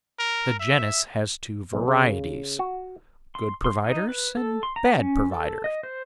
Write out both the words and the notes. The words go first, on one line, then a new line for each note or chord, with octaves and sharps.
The genus has two varieties: good providers and bad providers.
A#4
E5
B1
C#3
F#4
C6
C6
D#4
B4
A4
C6
A#5
C#4
A4
D#5
C5